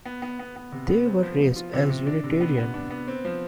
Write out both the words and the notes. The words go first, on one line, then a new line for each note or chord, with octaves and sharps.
They were raised as Unitarian.
B3
B3
B3
B3
C3
B3
C4
F3
F3
F4
C3
C3
D4
C3
B3
B3
D4
B3
C4
F3